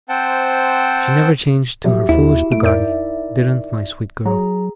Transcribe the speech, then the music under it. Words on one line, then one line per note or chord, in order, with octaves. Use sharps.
She never changed to her foolish Peggotty, didn't my sweet girl.'
C4 C5 F#5 G5 A5
B2 F3 F#3 F#4 G4 E5
D#2 E4
A3 D7
F2 D#4 A#4 D5 E5 G6 D7
F#3 G#4 A#5